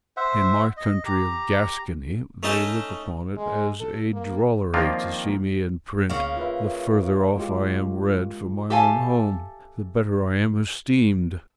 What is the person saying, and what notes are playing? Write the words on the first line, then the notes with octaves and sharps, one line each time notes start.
In my country of Gascony, they look upon it as a drollery to see me in print; the further off I am read from my own home, the better I am esteemed.
C5 E5 F#5
D#5
G4 A#5
A3 C#4 D#4 D#5 A5
G#3
A4
A#3
D#3 F3 A#3 C4 D4 F4
D2 C#3 A#3
F4 B4 E5
G#3 F4 G4
G4 A4 E5 F5 G#5 A5